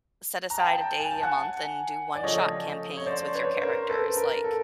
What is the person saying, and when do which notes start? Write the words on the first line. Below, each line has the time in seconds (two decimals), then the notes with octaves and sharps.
set aside a day a month and do one-shot campaigns with your characters, like,
0.50 A#5
0.58 G5 A5
1.00 G#5
1.11 A5
1.22 F#5 G#5
2.15 D5
2.23 C#3 F3 A3 C#4 C#5 D#5
2.97 C#5
3.06 C5 D5
3.34 B4 C#5
3.58 C#5
3.61 A#4 C5
3.89 A4 B4
4.17 A#4
4.44 A4